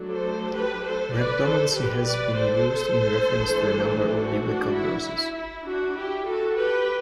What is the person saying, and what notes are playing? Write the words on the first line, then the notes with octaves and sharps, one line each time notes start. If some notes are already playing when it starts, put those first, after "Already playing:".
Rhabdomancy has been used in reference to a number of Biblical verses.
Already playing: F#3 A3 D4
A4 C5
G4 B4
A4 C5
B4 D5
A4 C5
G4 B4
B4 D5
A4 C5
E3 A3 D4
F#4 A4
D4 F#4
E4
E4
E4
D4 F#4
E4 G4
F#4 A4
G4 B4